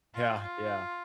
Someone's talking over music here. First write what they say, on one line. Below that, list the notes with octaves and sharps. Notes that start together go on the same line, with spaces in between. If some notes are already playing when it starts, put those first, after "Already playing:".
Yeah, yeah.
F4
F4